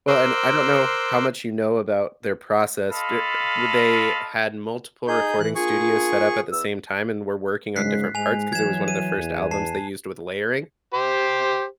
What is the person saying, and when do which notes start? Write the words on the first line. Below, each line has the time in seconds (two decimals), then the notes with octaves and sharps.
Well, and I don't know how much you know about their process. D w they had multiple recording studios set up at the same time and were working on different parts- 'cause it was one of the first albums they used with layering.
0.08 A#4 C5 C6 D6 E6 F#6
2.91 F4 A4 D#5 F5 A5 B5
5.08 D#4 G#4 G6
5.40 A2 E3 F#6
5.55 A#3 D4 F4 G#4 C#6
6.52 E2 B4 E6
7.76 G#2 C#3 G#3 F#6 B6 C7
8.15 G#2 G#3 G#5 F7
8.53 E3 F#3 G#6 E7
8.88 D#7
9.16 E2
9.51 A5 C7
10.94 G4 C5